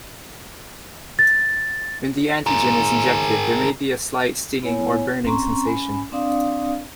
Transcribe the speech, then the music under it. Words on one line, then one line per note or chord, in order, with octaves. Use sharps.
When the antigen is injected, there may be a slight stinging or burning sensation.
A6
G#4 A#4
B3 E4 C#5 G#5
C4 C#4 A#5 C6 C#6
C#4 G#5 B5
C4 D4 D5 F5 D#6